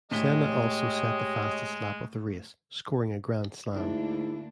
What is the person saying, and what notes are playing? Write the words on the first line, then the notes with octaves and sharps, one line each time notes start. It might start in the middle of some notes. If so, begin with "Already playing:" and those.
Senna also set the fastest lap of the race, scoring a Grand Slam.
A2 G#3 G4 C#5 D#5 B6 G7
D2 G#2 A#3 D4 E4